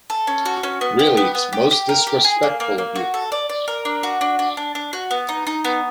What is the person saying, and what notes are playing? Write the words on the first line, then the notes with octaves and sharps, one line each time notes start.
Really, it’s most disrespectful of you!
A4
C#4
F#4
C#4
B3
G4
B3
B3
G4
G4
A#4
G4
G#4
A#3
A#3
A#3
F#4
A4
D5
D5
A#4
D4
F#4
D4
D4
D4
D4
F#4
B3
D#4
D#4
B3